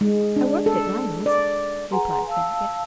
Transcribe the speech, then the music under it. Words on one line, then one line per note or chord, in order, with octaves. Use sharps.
"I worked at night also," replied Faria.
G#3
D4
A4
D5
G#4 B4 F#5 G#5 A#5 C6
F5 A5 E6